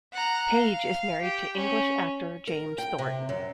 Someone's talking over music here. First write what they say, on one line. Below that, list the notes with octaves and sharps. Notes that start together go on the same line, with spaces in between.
Page is married to English actor James Thornton.
F#5 A#5
F5
G4
C#4
A#4
G5
C3
F#2